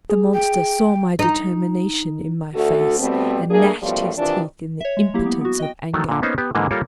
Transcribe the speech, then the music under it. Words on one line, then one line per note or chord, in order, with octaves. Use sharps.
The monster saw my determination in my face and gnashed his teeth in the impotence of anger.
G#4
G5
D#4
D2 F#4 A4
B2 G3 A3 B3 C4
A3 A#3 D4 G#4
F#2 A2 F3 G3 B3 F4
C3 D#3 E3 D4 F4 D5
C#5 E5
G#3
F#3 A#3 E4 G4
B3
B3 F#4
D#5 G5
D#3 F#3 A3 A4
A#2 D3
A#3 B3 C#4 D#4 C5
B3 G4
G#2 D3 E3 G#3 A#3
G3 A#3 F4 A4 A#4 C#5